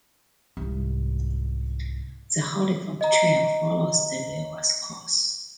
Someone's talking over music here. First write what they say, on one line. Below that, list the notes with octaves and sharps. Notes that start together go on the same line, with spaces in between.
The Hollyford Track follows the river's course.
C2 G#2
D#5 A#5